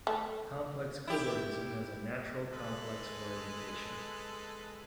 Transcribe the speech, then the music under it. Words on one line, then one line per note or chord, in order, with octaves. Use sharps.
Complex cobordism has a natural complex orientation.
A3
E4 G4
G#3 A4 B4